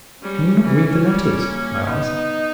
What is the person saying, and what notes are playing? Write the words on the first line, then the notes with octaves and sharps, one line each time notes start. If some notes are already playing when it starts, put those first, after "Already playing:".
"Can you not read the letters?" I asked.
G3 C#4
E3
G3
A#3
B3 D#4